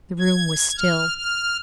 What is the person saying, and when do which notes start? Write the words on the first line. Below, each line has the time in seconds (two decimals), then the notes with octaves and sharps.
The room was still.
0.19 G#6
0.77 F6
1.16 F6